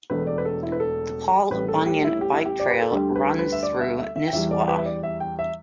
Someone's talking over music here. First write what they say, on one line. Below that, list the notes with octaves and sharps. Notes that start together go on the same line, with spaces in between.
The Paul Bunyan Bike trail runs through Nisswa.
E1 E2 B2 A3 B4
D5
B4
A4
E4
B4
A4
A1 A2 G3 B4
A4
G4
E4
G4
E4
G4
D5
B4
A4
D2 D3 G3 G4
B4
B4
E5
D5
E5
E5
E5
G5
E2 E3 G3 E5
D5
B4
E5
D5
E5
G5
E5